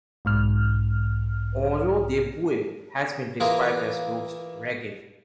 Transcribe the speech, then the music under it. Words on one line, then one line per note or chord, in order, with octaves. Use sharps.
Ojo de Buey has been described as roots reggae.
B1 G#2 F6
E3 A#3 F4 G#4 A#4